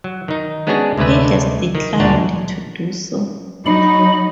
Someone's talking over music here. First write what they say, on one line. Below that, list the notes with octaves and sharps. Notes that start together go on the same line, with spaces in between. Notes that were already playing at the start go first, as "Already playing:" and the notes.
He has declined to do so.
F#3
D#3 D#4
G#3 B3 C#4 D4 F#4 G#4
D2 C3 G#3 A3 B4
D#3
D2 A#2 D4 C#5 F#5
F#3 D#4 B5